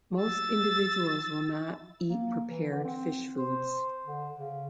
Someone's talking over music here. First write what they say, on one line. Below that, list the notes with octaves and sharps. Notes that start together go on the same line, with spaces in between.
Most individuals will not eat prepared fish foods.
E6 A6
A#3
E3
D3
C4
C5
D3
C#3